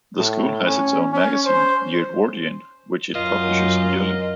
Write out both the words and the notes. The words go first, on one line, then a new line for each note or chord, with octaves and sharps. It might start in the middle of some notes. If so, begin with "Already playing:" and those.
The school has its own magazine, "The Edwardian", which it publishes yearly.
A2
C#4
C#4
C5
F#2 F4 A#4 D#5